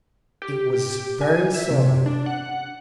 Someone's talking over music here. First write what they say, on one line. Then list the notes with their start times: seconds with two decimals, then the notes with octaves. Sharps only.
It was very so.
0.42 G4
1.21 G#5
1.54 E5
1.70 C3
2.06 D4
2.26 F#5